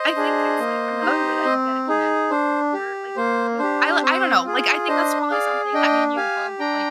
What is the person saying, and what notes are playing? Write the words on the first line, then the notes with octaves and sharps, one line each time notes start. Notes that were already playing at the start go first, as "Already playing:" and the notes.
I think it's, like, another way that you get to connect with your, like, with I I don't know, like, I think that's probably something that me and you both, like
Already playing: C5 D#5
D4 G#4
A#3
D#4 G4
C4
D#4 G#4
D4 C5
G4
A#3 C5
D4 G4 C5
C4 C5
F4 G#4
D4 C5 D#5
G#4 D5 F5
D4 D#5 G5
G4 F5 G#5
D4 G5 A#5